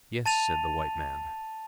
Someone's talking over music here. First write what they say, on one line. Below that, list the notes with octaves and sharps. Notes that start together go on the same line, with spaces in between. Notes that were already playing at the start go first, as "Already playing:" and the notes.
"Yes," said the white man.
A5 A6 D#7 F7